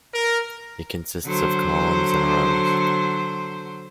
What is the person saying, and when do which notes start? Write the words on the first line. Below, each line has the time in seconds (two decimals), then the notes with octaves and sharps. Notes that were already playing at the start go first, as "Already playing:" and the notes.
It consists of columns, and rows.
0.13 A#4
1.25 D3 F#3 C5